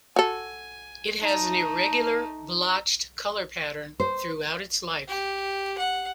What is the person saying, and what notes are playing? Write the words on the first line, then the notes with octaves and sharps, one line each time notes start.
It has an irregular, blotched color pattern throughout its life.
F#4 A4 G#5
A3 D#4
C5
G4
F#5